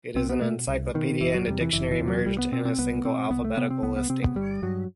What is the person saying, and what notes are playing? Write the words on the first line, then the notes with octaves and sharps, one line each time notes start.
It is an encyclopedia and a dictionary merged in a single alphabetical listing.
C2 C4
B3
B2 A3
C2
B2 D#3
F#1 E3
F#3
E2 C3 G3
E3
F#1 E3
E3
E2 C3
F#3
C2 G3
B3
B2 C4
C4
C2 B3
B2 C4
C2 B3
A3
C3 B3
C4
C2 B3
B3
C3 C4
B3
G1 G3
G2 F#3